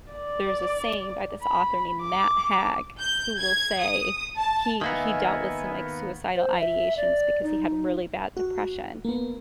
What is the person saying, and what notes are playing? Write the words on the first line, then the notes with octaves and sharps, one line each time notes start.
there's a saying by this author named Matt Hag, who will say he he dealt with some, like, suicidal ideations because he had really bad depression,
D5
B5
D6
G6
G#6
D#6
A5
D#3 A#3 B3 D#5 E5 G#5
C5
E5
D5
D#4
F#4
A#3 B3